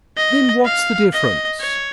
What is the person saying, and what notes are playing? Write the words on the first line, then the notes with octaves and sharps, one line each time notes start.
"Then what's the difference?"
D#5
F5
D#5
C#5